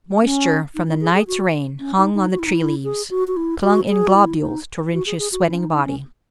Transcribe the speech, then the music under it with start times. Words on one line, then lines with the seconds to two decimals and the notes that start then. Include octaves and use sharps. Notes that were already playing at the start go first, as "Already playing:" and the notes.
Moisture from the night's rain hung on the tree leaves, clung in globules to Rynch's sweating body.
0.23 C#4
0.75 D#4
0.87 E4
1.01 G#4
1.14 G#4
1.27 F#4
1.79 C#4
1.97 D#4
2.15 D#4
2.31 F#4
2.39 E4
2.46 D#4
2.53 E4
2.84 G#4
3.10 F#4
3.28 F#4
3.37 E4
3.62 F#4
3.89 G#4
4.08 F#4
4.15 E4
4.40 D#4
4.93 F#4
5.06 G#4
5.19 G#4
5.32 F#4
5.45 E4
5.54 C#4
5.58 D#4
5.72 D#4
5.85 C#4